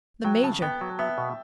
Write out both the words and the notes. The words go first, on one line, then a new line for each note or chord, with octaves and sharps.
"The major."
F#3 G5
C#3 A5
B3 G5
F#3
B3 E5
B2